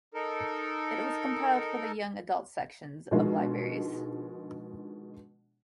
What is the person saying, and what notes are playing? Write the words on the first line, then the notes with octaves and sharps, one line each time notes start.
It was compiled for the Young Adult sections of libraries.
D#4 A4 A#4
B2 D3 D#3 F3 G#3